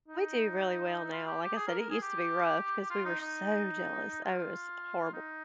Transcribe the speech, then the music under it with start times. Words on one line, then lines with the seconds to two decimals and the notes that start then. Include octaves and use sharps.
We do really well now. Like I said, it used to be rough 'cause we were so jealous. Oh, it was horrible.
0.08 D#4
1.12 F4
1.27 G4
1.42 G4
1.57 G#4
1.67 A#4
1.79 A#4
1.90 G#4
2.02 G4
2.90 F4
3.05 D#4
3.20 D#4
4.24 F4
5.13 D#4